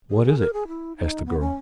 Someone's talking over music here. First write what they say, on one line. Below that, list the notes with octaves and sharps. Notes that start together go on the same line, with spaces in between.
"What is it?" asked the girl.
G#4
G#4
A#4
G#4
E4
D#4
B3
C#4